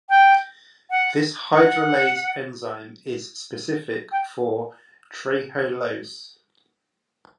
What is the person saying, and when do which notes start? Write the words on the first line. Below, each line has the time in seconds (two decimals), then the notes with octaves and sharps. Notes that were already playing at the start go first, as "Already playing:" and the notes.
This hydrolase enzyme is specific for trehalose.
0.09 G5
0.90 F#5
1.53 F#5
4.11 G5